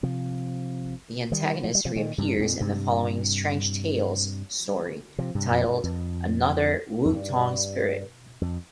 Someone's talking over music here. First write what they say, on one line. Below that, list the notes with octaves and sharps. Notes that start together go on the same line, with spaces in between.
The antagonist reappears in the following "Strange Tales" story titled "Another Wutong Spirit".
C3 F3
D#3 G3
F3
G3
C3 F3
A#2 D#3
G2 C3
F2 A#2
G2 C3
C3 F3
G2 C3
F2 A#2
G2
F2
F2
G2
F2